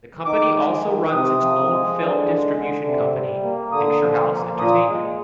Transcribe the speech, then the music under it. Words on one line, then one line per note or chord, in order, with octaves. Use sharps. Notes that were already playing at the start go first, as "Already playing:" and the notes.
The company also runs its own film distribution company, Picturehouse Entertainment.
D#3 D6
G#3
D#3
C3 D#6
F3
G#3
D3
G#3
D3
C3
G3
A#3
D3 D#6
F3
A#3
A#2 D#6
G#3